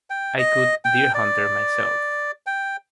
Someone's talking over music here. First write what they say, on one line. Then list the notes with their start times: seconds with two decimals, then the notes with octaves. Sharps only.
I cut "Deer Hunter" myself.
0.10 G5
0.39 D#5
0.85 G5
1.14 D5
2.46 G5